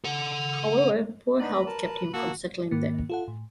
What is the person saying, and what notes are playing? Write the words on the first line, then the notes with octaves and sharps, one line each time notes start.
However, poor health kept him from settling there.
A4 F#5
B3 D4 D#4 B4
A#5 B5
A#4 A5
A#3 F#4 A5 E6
G#2 D#3 A#3
F4 A4 F#5
A2